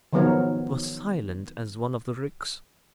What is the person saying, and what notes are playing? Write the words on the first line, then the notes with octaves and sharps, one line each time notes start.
It was silent as one of the ricks.
D#3 F3 F#3 B3 A#4 C#5